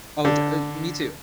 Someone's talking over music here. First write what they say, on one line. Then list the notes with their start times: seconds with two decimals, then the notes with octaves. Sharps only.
Oh, d uh, me too.
0.25 D3